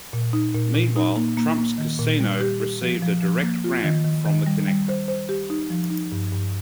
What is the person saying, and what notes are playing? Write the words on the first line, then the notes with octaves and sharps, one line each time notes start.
Meanwhile, Trump's casino received a direct ramp from the connector.
A#2
D#4
A#2
A#2
D#4
A#3
A#3
A#3
D#3
A#2
G3
G4
G4
F3
F3
F3
A#3
F4
D#3
D#3
D#3
G3
G3
C5
C5
G4
D#4
F3
D#4
G2
G2